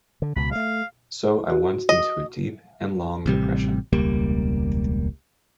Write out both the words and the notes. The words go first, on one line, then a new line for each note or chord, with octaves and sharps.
So I went into a deep and long depression.
D3
C#2 B2 B5
G#3 A3 F5
F#4
D#5
A1 C3 G3
E1 C#2 G3 A#3